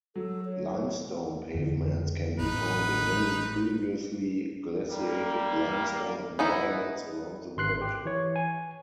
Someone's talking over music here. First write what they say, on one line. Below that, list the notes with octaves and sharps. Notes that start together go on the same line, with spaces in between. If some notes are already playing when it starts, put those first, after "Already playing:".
Limestone pavements can be found in many previously-glaciated limestone environments around the world.
F#3 A4
C#5
F2 D3
A1 D#4 B4
G3 A#3
B3 D#4 E4
G#1 C6 F#6 C7
G4
E3 C#5
G#5